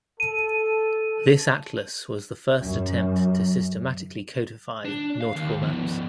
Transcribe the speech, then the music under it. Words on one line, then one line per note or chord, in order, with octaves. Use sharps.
This atlas was the first attempt to systematically codify nautical maps.
A4 D#7
F#2
D4
F5
D#2
F3 B3